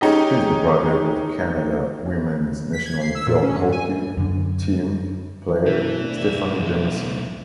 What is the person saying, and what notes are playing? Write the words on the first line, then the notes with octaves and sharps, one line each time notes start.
He is the brother of Canada women's national field hockey team player Stephanie Jameson.
G#3 C#4 D#4 G4 D#5
B6
G#6
C7
E6
A#2
C#4
G2
G#5
F#2 D3
E3 E4 A4
B2 E3
A3 C4 D4
B1 E5